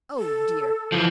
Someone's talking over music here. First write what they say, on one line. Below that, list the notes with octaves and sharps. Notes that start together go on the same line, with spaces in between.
Oh dear!
A4
E3 F3